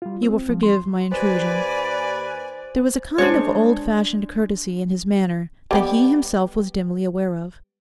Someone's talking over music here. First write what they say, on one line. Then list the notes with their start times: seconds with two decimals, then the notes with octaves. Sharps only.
You will forgive my intrusion?' There was a kind of old-fashioned courtesy in his manner that he himself was dimly aware of.
0.02 G3 F4
0.22 C4
0.49 F3
0.63 C6
1.12 D#2 B4 C5 D5 G#5
3.18 G#3 D4 C5 C#5
5.71 G3 B3 G4